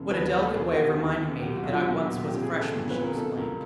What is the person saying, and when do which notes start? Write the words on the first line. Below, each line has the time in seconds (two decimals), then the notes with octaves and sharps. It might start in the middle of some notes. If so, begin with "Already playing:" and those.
"What a delicate way of reminding me that I once was a freshman!" she exclaimed.
Already playing: E1 C#3 E3 A4
0.11 D#2 B4
0.25 B4
0.33 D#2
0.40 A4
0.54 E1 G#4
0.73 F#4
0.76 D#2 G4
0.98 D#2
1.19 D#2
1.42 F#3 G4
1.56 F#4
1.63 B1
1.70 F4
1.84 B1
2.06 A#2 F#4
2.28 F2 G4
2.43 G#4
2.50 C#3
2.57 A4
2.72 G1
2.90 F2 B4
3.03 A#4
3.15 B2 A4
3.37 C#2 A#4